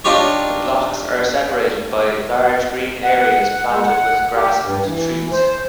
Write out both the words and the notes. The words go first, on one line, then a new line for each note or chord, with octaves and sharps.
The blocks are separated by large green areas planted with grass and trees.
D4 D#4 F4 G4 C#5
F#5
F#5
G#3
F#5
G4
G2
E3
C5